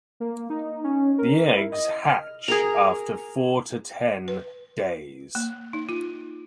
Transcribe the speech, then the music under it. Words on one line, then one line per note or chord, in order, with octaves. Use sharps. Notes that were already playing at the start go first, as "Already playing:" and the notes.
The eggs hatch after four to ten days.
A#3
D#4
C#4
A#4
E4
D#5
F6
G#4 A#4 A#5
B4
A#3
D#4
F4